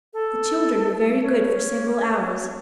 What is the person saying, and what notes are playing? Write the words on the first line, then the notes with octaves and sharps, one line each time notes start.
The children were very good for several hours.
A4
C#4